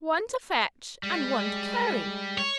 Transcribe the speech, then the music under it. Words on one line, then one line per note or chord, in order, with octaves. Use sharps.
One to fetch, and one to carry.'
G3 G#3
C#5